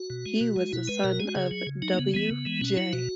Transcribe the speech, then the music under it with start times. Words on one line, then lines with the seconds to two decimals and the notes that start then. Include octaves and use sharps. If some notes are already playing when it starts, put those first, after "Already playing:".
He was the son of W. J.
Already playing: F#4
0.10 B2
0.26 G#3
0.41 B2
0.56 G#3
0.73 B2 E4
0.88 G#3 B4
1.04 B2 A#4
1.20 G#3 G#4
1.28 F#4
1.35 C#3 G#4
1.51 F#3
1.67 C#3
1.82 F#3 D#4
1.94 A#3
1.99 C#3 B3
2.14 E3 G#3 B3
2.31 C#3
2.45 E3 G#3
2.61 B2 C#4
2.77 F#3 E4
2.93 B2 F#4